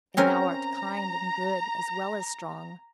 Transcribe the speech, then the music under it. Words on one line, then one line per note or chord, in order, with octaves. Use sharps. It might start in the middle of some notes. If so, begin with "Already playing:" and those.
And thou art kind and good, as well as strong.
C4 C#4 A#4 A#5